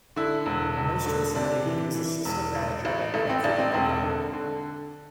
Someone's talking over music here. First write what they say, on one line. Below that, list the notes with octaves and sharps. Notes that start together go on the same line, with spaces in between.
Most recently, he was assistant manager at Bradford Park Avenue.
D3 E4
E1
E1
D3
C3 D4
E3
E3
E1
A1
A1
A1 A3
C4
A1 D4
C4
E1 C4
D3
D3